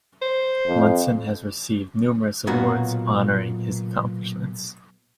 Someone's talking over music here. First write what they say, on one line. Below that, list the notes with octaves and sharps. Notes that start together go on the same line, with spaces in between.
Munson has received numerous awards honoring his accomplishments.
C5
F2
B1 A#2 B3 F#4